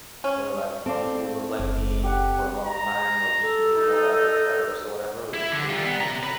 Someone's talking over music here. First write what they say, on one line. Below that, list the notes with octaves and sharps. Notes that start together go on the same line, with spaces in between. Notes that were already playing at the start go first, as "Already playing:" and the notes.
where, like, people who look like me for a long time were l just labeled as, like, terrorists or whatever in school, and, like,
C#4
C4 A4 D5 F5
F#1
G4 F#5
A#5
A4
D#4
E4
D3
D#3 F4
B3
C3 A#5
B4 B5